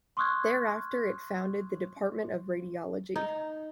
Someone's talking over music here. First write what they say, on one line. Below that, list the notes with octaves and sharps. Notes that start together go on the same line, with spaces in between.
Thereafter it founded the Department of Radiology.
C6 C#6 D#6 F6 F#6 G#6
D#4